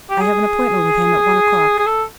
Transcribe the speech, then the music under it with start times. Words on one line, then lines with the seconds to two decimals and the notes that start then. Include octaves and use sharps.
I have an appointment with him at one o'clock.
0.10 G4
0.21 G#4
1.79 G#4
1.86 A4